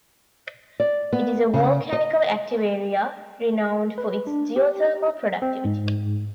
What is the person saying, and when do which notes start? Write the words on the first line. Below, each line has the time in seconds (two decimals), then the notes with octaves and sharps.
It is a volcanically active area, renowned for its geothermal productivity.
0.80 D5
1.13 B3
1.53 C#3
1.93 D#5
3.98 B4
4.27 D4
4.56 G4
5.42 C4
5.65 G#2